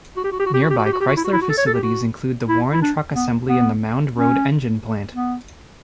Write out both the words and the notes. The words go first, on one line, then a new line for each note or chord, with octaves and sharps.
Nearby Chrysler facilities include the Warren Truck Assembly and the Mound Road Engine plant.
F#4
G4
F#4
G4
F#4
G4
F#4
G4
F#4
G4
F#4
G4
F#4
E4
F#4
E4
F#4
A4
C#5
A4
G4
F#4
E4
E4
D4
B3
B3
C#4
B3